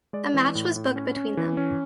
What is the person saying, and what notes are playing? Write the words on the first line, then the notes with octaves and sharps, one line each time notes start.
A match was booked between them.
G#3 D5
E3
A2
A2
C#4
C#4
E3
C#4